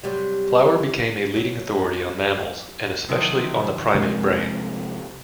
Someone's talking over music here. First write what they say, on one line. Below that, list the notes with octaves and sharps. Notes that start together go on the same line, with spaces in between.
Flower became a leading authority on mammals, and especially on the primate brain.
C3 F#3 G3
F#3
C3 D#3 F3 F#3
C3 F3 G#3 A#3